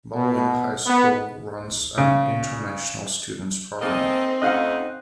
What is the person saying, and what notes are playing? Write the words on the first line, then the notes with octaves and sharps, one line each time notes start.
Balwyn High School runs an 'International Students Program'.
B2
B3
C#3
A#3 C4 D#4 G#4 A4 D#5
F2 A3 C#4 D#4 D#5 F5 F#5 F#6